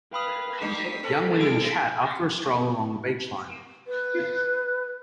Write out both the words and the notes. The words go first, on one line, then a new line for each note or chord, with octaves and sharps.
Young women chat after a stroll along the beach line.
B4 F5 G5 B5 D#6
A3 D4 D#4 B6
C4 A4 B4
G3 G#4 A4 D7
B4